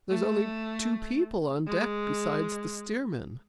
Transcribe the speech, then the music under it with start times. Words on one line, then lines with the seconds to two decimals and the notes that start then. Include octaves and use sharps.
There's only two people on deck besides the steersman.
0.10 A3
1.67 G#3